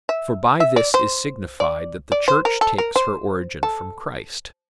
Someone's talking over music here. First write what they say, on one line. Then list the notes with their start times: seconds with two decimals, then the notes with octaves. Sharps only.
For by this is signified that the Church takes her origin from Christ.
0.09 E5
0.60 E5
0.76 D5
0.94 C5
1.60 D5
2.12 D5
2.28 C5
2.45 A#4
2.61 A4
2.78 A#4
2.96 C5
3.63 A4